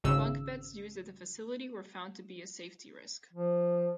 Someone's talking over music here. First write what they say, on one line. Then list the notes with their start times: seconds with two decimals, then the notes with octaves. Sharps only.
Bunk beds used at the facility were found to be a safety risk.
0.04 G#1 C#3 E6
3.33 F3